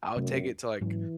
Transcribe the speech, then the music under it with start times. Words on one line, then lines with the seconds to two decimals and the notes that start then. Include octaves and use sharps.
I'll take it to, like,
0.16 F#2 C3 F#3 A3
0.81 G#2 E3 F#3 C#4